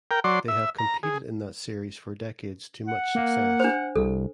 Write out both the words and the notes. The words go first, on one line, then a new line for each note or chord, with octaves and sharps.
They have competed in that series for decades to much success.
A#4 G5
F#3 D5 C6
E5
A#5
G#4
F#5
A#3
D4 C5
C2 A4